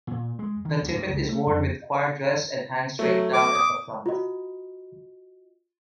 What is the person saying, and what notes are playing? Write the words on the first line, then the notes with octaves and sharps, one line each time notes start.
The tippet is worn with choir dress and hangs straight down at the front.
A#2
G#3
D#3
D2
G2
C#2
A3
F2
F#3 A3
D6
D#6
F4 F#4 D#5